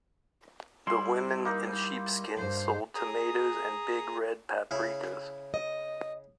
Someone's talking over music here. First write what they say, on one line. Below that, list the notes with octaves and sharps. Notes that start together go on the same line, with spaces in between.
The women in sheepskins sold tomatoes and big red paprikas.
G3 E4 C6
A#3 D#4
G2 C5
G#4 A#5 D#6
C#3 E4
D#5